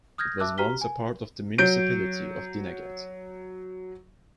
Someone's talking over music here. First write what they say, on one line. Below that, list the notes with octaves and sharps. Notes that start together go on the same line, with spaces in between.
It was once a part of the municipality of Dinagat.
D#6 F6 G6 G#6 A#6
E5 A5 D6 E6 F#6
F#4 G4 A#5 F6 B6 G7
G#5
F#3 G6 D7